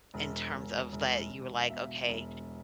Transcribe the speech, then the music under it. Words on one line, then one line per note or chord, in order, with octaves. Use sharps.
in terms of that you were like, "Okay,
E1
E1
E1
E1
F5
B2 E5
E1